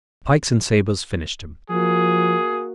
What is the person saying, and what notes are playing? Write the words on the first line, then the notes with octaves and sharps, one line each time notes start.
Pikes and sabres finished him.
F3 A#3 F#4 G#4